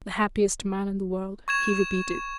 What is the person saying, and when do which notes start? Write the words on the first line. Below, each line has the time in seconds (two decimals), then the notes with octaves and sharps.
"The happiest man in the world," he repeated.
1.48 C#6 G#6 E7